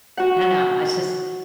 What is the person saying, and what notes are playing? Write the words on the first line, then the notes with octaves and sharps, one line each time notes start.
I don't know, I just
F#4 F#5